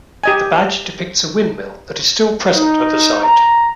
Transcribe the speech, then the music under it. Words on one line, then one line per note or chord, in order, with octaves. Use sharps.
The badge depicts a windmill that is still present at the site.
G4 D#5 G#5
D#4
A#5